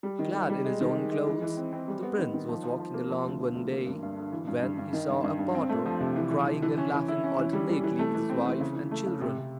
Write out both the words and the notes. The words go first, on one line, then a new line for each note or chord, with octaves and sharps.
Clad in his own clothes, the prince was walking along one day when he saw a potter crying and laughing alternately with his wife and children.
G3
D#3
G3
G3
G#3
D#3
G#3
G#3
E3
E3
C4
C4
G3
B3
D#3
D#3
F3
F3
F3
A#3
F3
D2
F3
D2
A#3
G2
G2
D3
E3
G2
G2
G2
D#3
G2
G2
G2
C4
A3
F3
C3
E3
E3
E3
E3
C#4
E3
E4
C#4
E3
G3
G3
E3
A3
E3
C4
E3
C#3
E3
A3
C#3
C3
C3